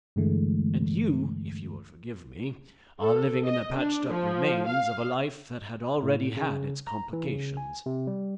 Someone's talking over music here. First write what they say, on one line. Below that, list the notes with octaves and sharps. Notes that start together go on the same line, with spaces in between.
And you--if you will forgive me--are living in the patched up remains of a life that had already had its complications.
G2 D3 E3 G#3 A3
A4
D#5
D4
F3
F5
A2
C#3
A#5
E3
C#3
G#5
C3
G3